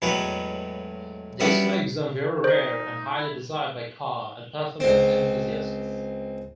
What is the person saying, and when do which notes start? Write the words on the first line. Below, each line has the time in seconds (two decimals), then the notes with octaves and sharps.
This makes them very rare and highly desired by car and performance enthusiasts.
0.02 E2 A2 F#3 G#3 B4
1.40 G3 B3 C#4 D4 E4 F#4
2.44 D#4 C5
3.15 E4
4.80 C#2 C4